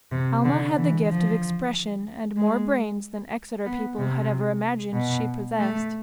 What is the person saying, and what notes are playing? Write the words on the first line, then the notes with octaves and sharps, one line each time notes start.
Alma had the gift of expression and more brains than Exeter people had ever imagined she possessed.
C3
D3
E3
F3
G#3
B3
C3
B2
A3